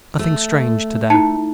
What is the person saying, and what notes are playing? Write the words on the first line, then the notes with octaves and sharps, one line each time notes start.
Nothing strange to day.
A3
D#4 E4 A5 C#7